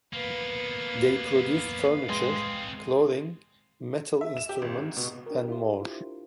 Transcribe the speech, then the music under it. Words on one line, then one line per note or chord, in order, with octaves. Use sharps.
They produced furniture, clothing, metal instruments and more.
A#3 B3 B4 F5
G#3 C4 G#4
E5
E7
G4
G#1
G#2
B2
D4 G4 A#4
E4 F4 C5